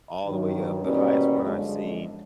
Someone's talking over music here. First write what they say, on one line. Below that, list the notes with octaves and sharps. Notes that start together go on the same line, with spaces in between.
all the way up the highest one I've seen
G2 D#3 F#3
E2 B2 G3 A#3 C#4
F#2 D3 F3 G#3